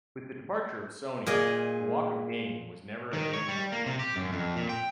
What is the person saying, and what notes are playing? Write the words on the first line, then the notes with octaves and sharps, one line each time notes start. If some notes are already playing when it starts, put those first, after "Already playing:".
With the departure of Sony, the Walk of Game was never again updated.
A#2 G#4 D#5
D#3
C#5
G3
A#3
C3
G4
F#2
F2
A#2
G5